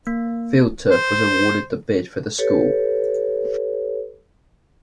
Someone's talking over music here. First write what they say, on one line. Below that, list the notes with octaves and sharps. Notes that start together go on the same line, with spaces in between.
FieldTurf was awarded the bid for the school.
A#3
C5
G4 A4 B4 C#5